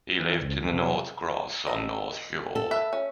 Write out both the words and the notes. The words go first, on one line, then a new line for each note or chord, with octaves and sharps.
He lived in Northcross on the North Shore.
E3
C#2
C3 F#3
A4 D#5
A4
B4 E5
C#4